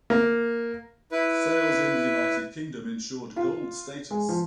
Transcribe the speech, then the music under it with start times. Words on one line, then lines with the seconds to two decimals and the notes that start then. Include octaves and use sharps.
Sales in the United Kingdom ensured Gold status.
0.10 A#3
1.12 E4 B4
3.36 F4
4.11 G#3
4.29 F3